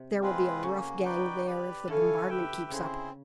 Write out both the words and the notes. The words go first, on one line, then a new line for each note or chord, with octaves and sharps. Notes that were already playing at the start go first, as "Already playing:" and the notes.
There will be a rough gang there if the bombardment keeps up.
Already playing: C3
G#3 C4 F4 G#4 B4
C#3 A#3 C#4 F#4
D#4 F#4 B4 D5 G5
G4 B4 D5
D3 E4 A4 C#5 F5 G#5
G4 B4 E5 G5
C#3 C4 E4 G#4 C5